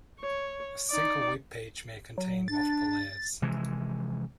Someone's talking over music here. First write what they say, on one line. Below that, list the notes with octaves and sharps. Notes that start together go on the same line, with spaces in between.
A single web page may contain multiple ads.
C#5
D#4 D5
F#3
D4 A6
C3 E3 F3 G#3